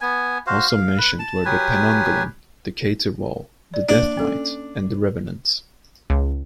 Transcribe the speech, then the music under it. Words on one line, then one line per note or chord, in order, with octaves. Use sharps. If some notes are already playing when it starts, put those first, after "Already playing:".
Also mentioned were the penanggalon, the caterwaul, the death knight, and the revenant.
B3 G#5
F#4 C5 F5
F5
B4
A5
F#3 G4 B4 G#5
D5
A#3 D4
C#4 A4
C#2